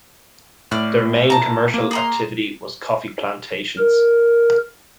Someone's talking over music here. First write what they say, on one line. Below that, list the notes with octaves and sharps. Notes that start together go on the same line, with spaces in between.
Their main commercial activity was coffee plantations.
A2 D5 F6
A5 A#5
A#3
G#4 A#5 C6
A#4